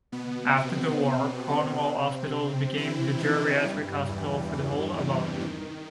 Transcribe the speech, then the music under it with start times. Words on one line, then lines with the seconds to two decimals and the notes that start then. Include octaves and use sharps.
After the war Cornwall Hospital became the geriatric hospital for the whole of Auckland.
0.12 B2 B3
0.57 C3 C4
2.77 E3 E4
3.21 D#3 D#4
3.65 G2 G3
4.09 E2 E3
4.54 E2 E3
4.98 C3
5.41 D#3